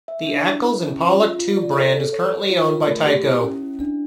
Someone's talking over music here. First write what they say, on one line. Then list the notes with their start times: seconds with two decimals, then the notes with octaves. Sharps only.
The Accles and Pollock tube brand is currently owned by Tyco.
0.08 E5
0.27 D4
0.45 E4
0.64 E4
0.83 C#4
1.01 F4
1.20 F4
1.39 F4
1.57 D5
1.76 A4
1.94 A4
2.13 C#5
2.31 C#5
2.50 F4
2.69 A#4
2.87 A3
3.06 G4
3.24 E4
3.43 C#4
3.62 E4
3.80 D4